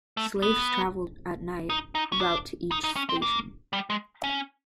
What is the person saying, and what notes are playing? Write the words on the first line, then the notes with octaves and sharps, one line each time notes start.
Slaves traveled at night, about to each station.
A3
B3
D#4
D#4
C#4
D4
D#4
D#4
C#4
C4
A#3
G3
G#3
C#4